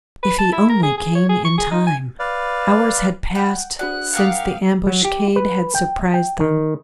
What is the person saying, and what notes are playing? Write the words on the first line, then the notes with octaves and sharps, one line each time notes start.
If he only came in time! Hours had passed since the ambuscade had surprised them.
B4
A5
E4
A#4
G#4
G#4
C#5
G#4
C#6
G#4
D#4
G#5
B4 D5 F5
F#5 G5
B3 D4 F#4 D5 F#6
G4 A#4 F5 F#5 D#6 G6 C#7
F#3
G4
B4
G5
G5
D#3